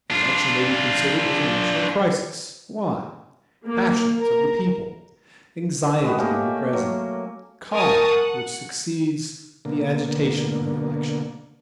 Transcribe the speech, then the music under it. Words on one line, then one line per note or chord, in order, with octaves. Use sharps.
The Election may be considered as a national crisis--Why?--Passions of the people--Anxiety of the President--Calm which succeeds the agitation of the election.
D4 F4
A#3
A#4
G#3 B3 F#4 G4
A3 A#3 C#4 G4
F#3
A#4 G#5 A5 C#6 D#6
F#5
B2 D3 A#3